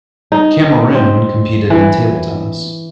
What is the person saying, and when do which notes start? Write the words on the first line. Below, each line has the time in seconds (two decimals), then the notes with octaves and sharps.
Cameroon competed in table tennis.
0.32 D#4
0.95 C4
1.70 E3